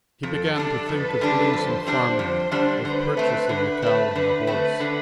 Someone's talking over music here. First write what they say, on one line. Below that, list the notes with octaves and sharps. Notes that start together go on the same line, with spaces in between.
He began to think of doing some farming, of purchasing a cow and a horse.
F2 A4 A5
D3 G3 D4
F2 B4 B5
D3 G3 D4
F2 C5 C6
D3 G3 D4
F2 C5 C6
D3 G3 D4
D3 B4 B5
A3 C4
D3
A3 C4
D3 B4 B5
A3 C4
D3